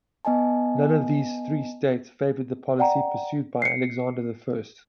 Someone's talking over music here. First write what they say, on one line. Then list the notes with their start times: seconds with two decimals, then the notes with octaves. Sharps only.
None of these three states favored the policy pursued by Alexander the First.
0.25 B3 D#5 G#5 A5
2.79 D5 F#5 G5 A#5
3.62 C7 C#7